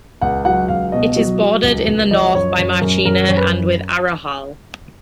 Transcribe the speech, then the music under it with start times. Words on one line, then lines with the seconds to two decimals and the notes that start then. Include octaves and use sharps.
It is bordered in the north by Marchena and with Arahal.
0.21 C#2 F#5
0.45 F#3 F#5
0.68 C#2 F5
0.92 B2 D#5
1.16 F#3
1.40 F#3
1.63 C#2
1.87 C#2
2.11 F3 D#5
2.34 F#2 C#5
2.58 F#2 C#5
2.81 F#2 A#4
3.05 F#2 A#4
3.29 F#2 C#5
3.37 B4